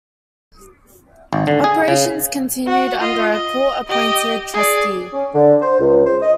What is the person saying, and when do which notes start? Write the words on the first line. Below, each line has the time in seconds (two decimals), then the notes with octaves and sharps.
Operations continued under a court-appointed trustee.
1.33 G#1
1.47 D3
1.64 G#4
1.88 C#3
2.66 F#4 F#5
3.00 F4 D#5
3.33 D#5
3.88 G4 D#5
4.54 G#4 D5
5.13 C#4
5.34 D3
5.62 C5
5.80 C#2
6.06 C5
6.22 D#5